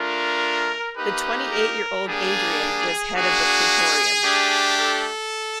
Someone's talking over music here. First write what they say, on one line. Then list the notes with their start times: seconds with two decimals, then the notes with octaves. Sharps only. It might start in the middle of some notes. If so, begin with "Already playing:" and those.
The twenty-eight-year-old Adrian was head of the praetorium.
Already playing: A3 D4 F4 A#4
0.96 A#3 D#4 G4 B4
1.51 A#4
2.06 G3 A#3 D4 G#4
3.15 A#3 D4 F#4 G#4
4.23 A3 D4 G4
4.78 A4